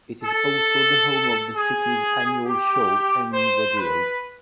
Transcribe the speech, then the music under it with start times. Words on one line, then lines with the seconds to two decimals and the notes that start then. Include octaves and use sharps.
It is also the home of the city's annual show and rodeo.
0.24 A4
1.56 G#4
2.45 G4
3.33 C5
3.77 B4